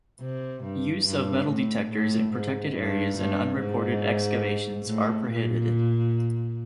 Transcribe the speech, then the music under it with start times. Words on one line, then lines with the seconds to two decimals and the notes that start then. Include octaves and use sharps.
Use of metal detectors in protected areas and unreported excavations are prohibited.
0.21 C3
0.64 G2
1.06 G2
1.48 A2
1.90 A2
2.33 G#2
2.75 G2
3.18 G2
3.59 G#2
4.87 A2
5.29 A#2